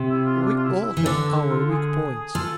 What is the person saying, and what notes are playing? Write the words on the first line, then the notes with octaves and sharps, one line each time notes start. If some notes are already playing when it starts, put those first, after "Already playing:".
We all have our weak points.
Already playing: C3
E4
F4
D4
F4
E4
E4
E3
D3 D4
E4
F4
G#4
F3 A4